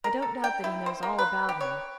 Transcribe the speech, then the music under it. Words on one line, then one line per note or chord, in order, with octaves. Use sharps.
I don't doubt that he knows all about him.
A#4
A4
G5
E4
C5
A#3
B4
G4
C#5